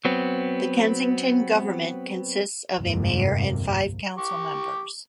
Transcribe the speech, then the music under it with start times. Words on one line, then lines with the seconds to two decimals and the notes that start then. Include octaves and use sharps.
The Kensington government consists of a mayor and five council members.
0.05 F#3 B3 C4
2.79 G1 C2 F2 G#2 C3 A#3
4.18 G4 C#6 D6